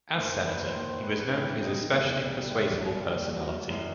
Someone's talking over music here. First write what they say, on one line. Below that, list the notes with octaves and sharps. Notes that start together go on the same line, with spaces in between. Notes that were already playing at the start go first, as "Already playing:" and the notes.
As senator, he was known for his especially persuasible personality.
F#1 F#2 D#3 C5
B4
C5
D#2 D#3 C5
B4
B4
A1 G2 E3 C4
D#4
C2 C3 E3 B3
A3
G3
G1 G2 D#3
F#3
G3
D#2 D#3
F#3
G3
G1 F#2 E3